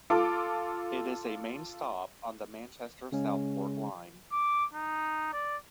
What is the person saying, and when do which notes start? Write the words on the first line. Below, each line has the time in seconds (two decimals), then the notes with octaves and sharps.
It is a main stop on the Manchester-Southport Line.
0.10 F4 A4 D6
3.12 C#3 G#3 C#4
4.32 D6
4.74 D#4
5.33 D5